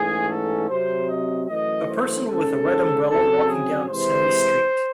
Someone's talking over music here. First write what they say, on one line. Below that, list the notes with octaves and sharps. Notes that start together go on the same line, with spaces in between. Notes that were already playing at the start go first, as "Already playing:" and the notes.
A person with a red umbrella walking down a snowy street.
Already playing: G#2 E3 A3 C#4 G#4
A4
C3 F#3 C4 C5
D#5
F#2 E3 A3 D#5
C5
C#3 G#3 C#4 A4
C#3 F#3 C4 A4
G#4
C3 E3 G#3 C5